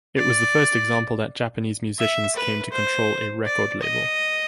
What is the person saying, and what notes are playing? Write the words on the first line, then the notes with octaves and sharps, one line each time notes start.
It was the first example that Japanese musicians came to control a record label.
D5
E5
B4
C5
D5
D#5